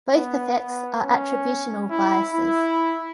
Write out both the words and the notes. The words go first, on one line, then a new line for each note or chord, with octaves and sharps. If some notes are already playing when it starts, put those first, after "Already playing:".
Both effects are attributional biases.
B3
B3
C#4
E4
E4